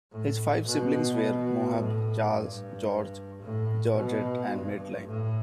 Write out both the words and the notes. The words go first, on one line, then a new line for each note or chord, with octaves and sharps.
His five siblings were Moheb, Charles, George, Georgette and Madeline.
A2
B2
A2
G2
A2
B2
G2
A2